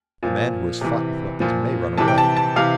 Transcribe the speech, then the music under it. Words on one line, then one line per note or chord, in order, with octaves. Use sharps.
A man who has fought with weapons may run away.
A#2 F3
C3 E3
A#2 F3
C3 E3 A5
G5
A5
A5
C3 E3 F5